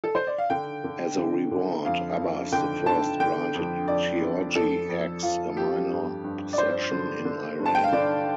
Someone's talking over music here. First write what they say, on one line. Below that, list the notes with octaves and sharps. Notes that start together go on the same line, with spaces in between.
As a reward, Abbas the First granted Giorgi X a minor possession in Iran.
A4
C5
D5
F5
D3 G5
D3
D3
D3
F2 F5
F2
D3 G5
D3 A5
D3 G5
F2
F2 D5
F2
F2 A4
F2
F2 F4
F2 G4
G2
G2
D5
G2 C5
D3
D3
G2
A5
G5
F5
D3 D5